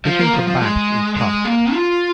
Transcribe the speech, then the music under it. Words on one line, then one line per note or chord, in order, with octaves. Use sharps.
Fishing for bass is tough.
F3
A#3
F3
F3
G#3
G#3
A#3
F4